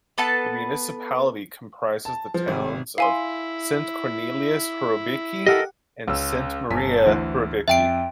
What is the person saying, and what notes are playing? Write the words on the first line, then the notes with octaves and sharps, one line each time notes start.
The municipality comprises the towns of Sint-Kornelis-Horebeke and Sint-Maria-Horebeke.
B3 A4 B4 A5
A5
F3
G#1 C3
E4 F5 G#5 C6
G4 A4 A#4 D#5 F#5
C#2 C#4 E6
G1 G#5 B6
D2 E3 C5
F2 E5 G5 D7